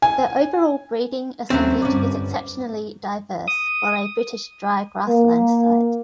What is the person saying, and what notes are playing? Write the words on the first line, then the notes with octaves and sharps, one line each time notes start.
The overall breeding assemblage is exceptionally diverse for a British dry grassland site.
G#5
D#2 F#3 A3 C4 C#4
G1 G2 C#4 D5
D#6
A#3